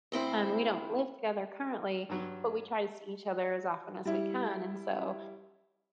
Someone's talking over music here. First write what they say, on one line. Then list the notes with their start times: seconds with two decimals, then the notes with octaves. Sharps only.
and we don't live together currently, but we try to see each other as often as we can, and so
0.12 D2 C4 E4 C5
2.09 G2 F#3
4.05 G3 E4